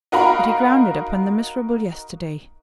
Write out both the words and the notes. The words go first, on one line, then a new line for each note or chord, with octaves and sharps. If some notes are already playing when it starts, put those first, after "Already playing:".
Did he ground it upon the miserable yesterday?
D#4 F#4 A#4 F5 A#5 B5